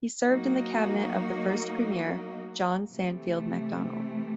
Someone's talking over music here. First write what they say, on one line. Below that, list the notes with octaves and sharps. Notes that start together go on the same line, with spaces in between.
He served in the cabinet of the first Premier, John Sandfield Macdonald.
F#3 A#3 D#4 F#4
C3 E3 A3